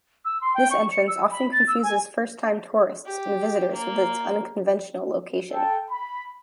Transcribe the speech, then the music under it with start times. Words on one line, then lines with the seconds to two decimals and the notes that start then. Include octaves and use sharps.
This entrance often confuses first-time tourists and visitors with its unconventional location.
0.25 E6
0.41 C6
0.54 G5
0.71 C#6
0.91 C#7
1.08 E6
1.31 B5
1.52 A6
1.67 E6
1.83 G#5
3.06 G4
3.73 A#3
5.52 A4 G5
5.90 B5